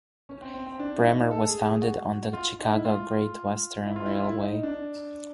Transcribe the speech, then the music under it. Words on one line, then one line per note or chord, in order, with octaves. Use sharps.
Bremer was founded on the Chicago Great Western Railway.
C#4
C4
C4
C4
D4
E4
D#4
A4
G#4
G#4
F#4
F4
D#4
E4
F4
E4
F4
E4
F4
E4
D#4
D4